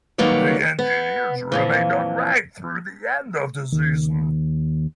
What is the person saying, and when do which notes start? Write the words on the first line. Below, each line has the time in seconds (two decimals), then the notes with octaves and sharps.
The Engineers remained unranked through the end of the season.
0.18 D#3 F#3 G3 A#3 B4 C#5
0.79 B3
1.52 F2 A#2 E3
3.72 D#2